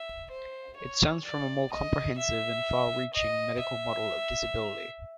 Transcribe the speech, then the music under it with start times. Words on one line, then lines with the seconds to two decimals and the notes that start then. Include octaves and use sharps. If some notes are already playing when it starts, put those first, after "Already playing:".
It stems from a more comprehensive and far-reaching medical model of disability.
Already playing: E5
0.31 C5
0.77 C#5
1.25 D5
1.72 D#5
2.18 E5
3.13 D#5
3.59 E5